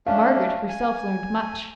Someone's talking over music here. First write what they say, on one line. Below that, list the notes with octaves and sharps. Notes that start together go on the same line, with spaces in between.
Margaret herself learned much.
A3 C#4 D4 F5
G#5